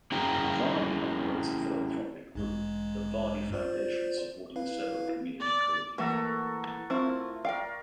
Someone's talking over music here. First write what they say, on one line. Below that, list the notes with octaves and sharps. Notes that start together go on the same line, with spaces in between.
Vardy operates a philanthropic group, The Vardy Foundation, supporting several community causes.
C#4 E4 F#4 G#4 G5 A#5
A1 G2 G#3
F4 C5 D5
E4 B4 F5
D5
E3 A3 A#3 F#4 A4 A#5
A3 C4 E4 F4 A#4
A#4 D5 F5 G5